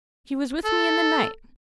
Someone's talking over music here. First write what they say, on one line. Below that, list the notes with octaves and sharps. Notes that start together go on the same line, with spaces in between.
She was with me in the night.
A4